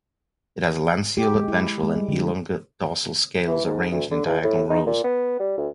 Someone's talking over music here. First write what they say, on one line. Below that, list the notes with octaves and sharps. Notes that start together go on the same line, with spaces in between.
It has lanceolate ventral and elongate dorsal scales arranged in diagonal rows.
G4
G#3
E4
G#3
G3
D3
E3
G#2
D2
D3
E2
A2
D#4
A#2
B3
G3
D2